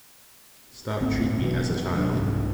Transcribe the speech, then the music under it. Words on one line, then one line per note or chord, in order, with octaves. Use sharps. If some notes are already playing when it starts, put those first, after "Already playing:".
Stop treat me as a child.
G#1 D2 A#3 C4
A2
B2 E3 F#3
D1 C3 F#3 D4
C2 G#2